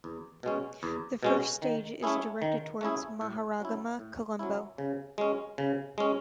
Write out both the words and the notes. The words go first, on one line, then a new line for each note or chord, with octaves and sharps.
The first stage is directed towards Maharagama - Colombo.
E2
B2 G#3 C#4
E2
B2 G#3 C#4
D#3
A3 C#4 E4 G#4
D#3
A3 C#4 E4 G#4
A2
F#3 C#4 E4
A2
F#3 C#4 E4
C#3
G#3 C#4
C#3
G#3 C#4